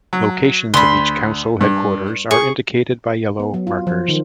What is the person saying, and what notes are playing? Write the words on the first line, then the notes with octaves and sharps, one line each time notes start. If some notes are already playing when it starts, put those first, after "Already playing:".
"Locations of each council headquarters are indicated by yellow markers".
F#3
D2 B5 C6
G2
G#4 C#6
B3
F#3
F4
F3
D#3